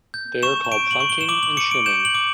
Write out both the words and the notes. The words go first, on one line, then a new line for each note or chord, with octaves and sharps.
They are called thunking and shimming.
G6
C#6 E7
E7
C#6 D7
F#7
C#6
G7
E7
D6 F#7
F#7
D6 C#7
D7
G6 E7
F#7
D6